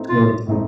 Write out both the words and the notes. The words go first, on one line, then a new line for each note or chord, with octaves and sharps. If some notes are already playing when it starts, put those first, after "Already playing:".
totally true.
Already playing: A2 A3 C4 D#4
F4
A2 A3 C4 D#4